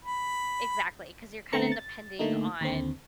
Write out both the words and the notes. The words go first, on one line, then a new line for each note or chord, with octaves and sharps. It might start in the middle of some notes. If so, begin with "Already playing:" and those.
Exactly, 'cause you're kinda depending on
B5
D3 A3 B3 C4 A#5 C#7
A6
D3 A3 A#3 D#4
D#2 D3 C4